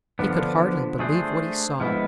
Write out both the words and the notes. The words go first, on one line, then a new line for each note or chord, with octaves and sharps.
He could hardly believe what he saw.
D3 F3 B3 D4
A3 D4 G#4 C5
F3 G#3 B3 E4